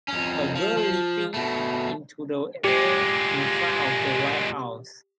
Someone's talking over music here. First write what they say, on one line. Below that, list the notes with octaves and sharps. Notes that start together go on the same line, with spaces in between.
A girl leaping into the air in front of the White house.
F2 C#4
F3
F3
B2 A3
A#2 G#3 G4